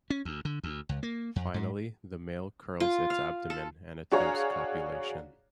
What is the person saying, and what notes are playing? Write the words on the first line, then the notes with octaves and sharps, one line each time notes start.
Finally, the male curls its abdomen and attempts copulation.
C#4
D2
D3
D2
C#2
A#3
F2
G#2
F4
F5
A4
D4 F#4 G#4 C#5 F5 A#5